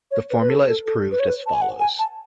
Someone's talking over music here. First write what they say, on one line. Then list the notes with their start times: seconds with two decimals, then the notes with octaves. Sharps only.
The formula is proved as follows.
0.11 C#5
0.30 B4
0.41 B4
0.49 A4
0.68 A4
0.86 A4
1.12 B4
1.20 C#5
1.27 B4
1.46 A5
1.54 G#5
1.62 F#5
1.80 G#5
1.99 A5